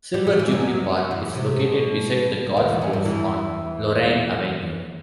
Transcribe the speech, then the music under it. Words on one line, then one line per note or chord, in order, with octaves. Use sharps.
Silver Jubilee Park is located beside the golf course on Lorraine Avenue.
G3
F#3
E3
F#2 F#3
E2 E3
C3
B2
D#2 D#3
E2 E3
F#2 F#3
G2 G3
E2 E3